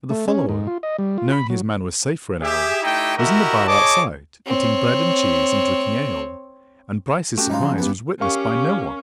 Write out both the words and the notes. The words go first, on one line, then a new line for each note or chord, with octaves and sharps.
But the follower, knowing his man was safe for an hour, was in the bar outside eating bread and cheese and drinking ale, and Bryce's surprise was witnessed by no one.
A3
C#4
G#2
F4
D#5
G3
F4
B5
F#3
G4 G#4 E5
A3 D#4 E4 G4 G5
E4 F#4 G4 A#4 D#5 E5
G#4 C#5 D#5 A5 D6
C4 C#5
A3 C#4 F#4 G4
G#2 F#3 G3 D#4 F4
F3 F#3 G#4
G2 B3
C#4 G4 A#4 F5 C#6